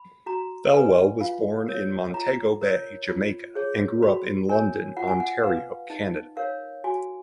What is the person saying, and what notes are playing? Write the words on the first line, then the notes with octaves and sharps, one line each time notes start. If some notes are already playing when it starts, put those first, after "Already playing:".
Thelwell was born in Montego Bay, Jamaica and grew up in London, Ontario, Canada.
Already playing: B5
F#4 A#5
B4 G#5
F4 F5
A#4 C#5
F4 A#5
A#4 C#5
F4
G#4 C#5
F#4 B5
A#4 C#5 G#5
F4 F#5
G#5
F#5
B4 F5
D#4 D#5
A#4 C#5 F5
F#4 G#5